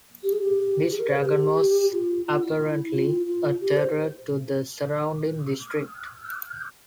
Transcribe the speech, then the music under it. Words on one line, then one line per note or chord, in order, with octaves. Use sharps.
This dragon was apparently a terror to the surrounding district.
G4
G#4
G4
G#4
A#4
C5
G#4
G4
F4
F4
E4
F4
F4
G4
C5